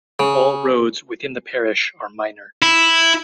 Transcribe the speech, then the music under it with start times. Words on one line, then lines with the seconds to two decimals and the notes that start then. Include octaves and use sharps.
All roads within the parish are minor.
0.20 C#3
2.62 E4